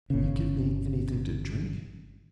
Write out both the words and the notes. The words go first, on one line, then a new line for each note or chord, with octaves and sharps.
'Can you give me anything to drink?'
G1 C#3